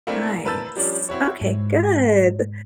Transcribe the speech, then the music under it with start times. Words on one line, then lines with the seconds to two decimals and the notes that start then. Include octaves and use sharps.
Nice, okay, good, th
0.07 A3 A#3 C4 D4 E4 A#4
0.45 A#4 B4 A5 E6 G6 A6
0.76 F3 G3 C#4 D4 D5
1.09 C4 E4 F#4 C#5
1.41 G#2